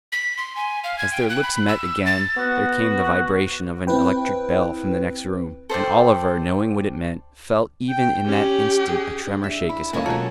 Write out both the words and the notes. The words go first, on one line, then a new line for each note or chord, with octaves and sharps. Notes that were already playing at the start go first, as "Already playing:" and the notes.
As their lips met again there came the vibration of an electric bell from the next room, and Oliver, knowing what it meant, felt even in that instant a tremor shake his heart.
B6
C6
G#5
F5
G#6
G5
F#6
B5
E6
A6
B3 F#4
C4 E4 B4 G5
A4 C5 D5 G5
G5
C#4 G4
G#4
D4
E5
E4 B5
G#3 A#3 C#4 A4 A#4 F5 G#5
B2 F#3 C#4 F4 A5 A#5